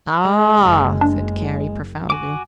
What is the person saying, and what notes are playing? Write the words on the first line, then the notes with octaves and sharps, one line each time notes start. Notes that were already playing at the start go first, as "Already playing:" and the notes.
"Ah," said Carey profoundly.
G#3
F#1
D4
F#4 G#5 D6